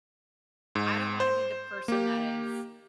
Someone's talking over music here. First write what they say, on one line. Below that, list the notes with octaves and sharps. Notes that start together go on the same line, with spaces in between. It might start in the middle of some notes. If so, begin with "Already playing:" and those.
I don't wanna be the person that is
G#2
C5
A#3 G4